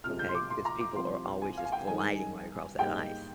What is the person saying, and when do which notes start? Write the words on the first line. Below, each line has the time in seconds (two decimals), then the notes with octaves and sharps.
okay, because people are always just gliding right across that ice.
0.04 F2 C3 F3 G#3 F6
0.19 G6
0.29 C6
0.35 D6
0.50 C6
0.65 A#5
0.81 D6
0.96 C2 C3 F3 C6
1.41 G#5
1.57 F5
1.65 G#5
1.72 G5
1.87 G2 D#3 G#3 D#4 G#5
2.79 G#2 G3 A#3 D#4 G5